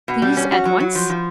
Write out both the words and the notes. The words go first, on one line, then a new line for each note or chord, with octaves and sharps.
Please, at once?'
B2
G3
C#4
F#4
F#3
F#3
F3
F3